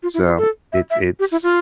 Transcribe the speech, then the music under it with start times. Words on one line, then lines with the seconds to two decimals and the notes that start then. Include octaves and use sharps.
So, it's it's
0.03 F4
0.14 E4
0.26 F4
0.37 A4
0.72 E5
0.90 E5
1.19 G4
1.32 E4
1.43 F4